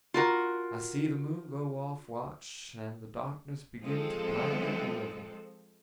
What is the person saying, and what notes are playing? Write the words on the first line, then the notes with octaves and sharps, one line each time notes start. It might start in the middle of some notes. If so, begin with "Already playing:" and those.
I see the moon go off watch, and the darkness begin to blanket the river.
F4 F#4 A#4
F3 G#3 C4 A4